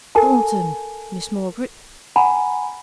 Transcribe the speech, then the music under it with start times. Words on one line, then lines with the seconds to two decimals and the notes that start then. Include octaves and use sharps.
Thornton, Miss Margaret.
0.15 A4 A#4 G#5 A5
2.16 F#5 G#5 A#5 B5